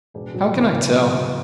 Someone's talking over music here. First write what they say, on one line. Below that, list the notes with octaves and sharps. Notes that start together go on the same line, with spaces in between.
How can I tell?
E1 G#2
A2
F#3
A2
E2 C#3
E2 C#3
F#3
E2